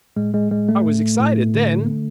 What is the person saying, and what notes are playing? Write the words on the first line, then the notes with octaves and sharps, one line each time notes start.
"I was excited then."
A2 G#3
G#3
A2 G#3
A3
A2
A2
D3